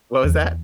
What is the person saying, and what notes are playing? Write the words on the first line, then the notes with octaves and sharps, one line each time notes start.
What was that?
E2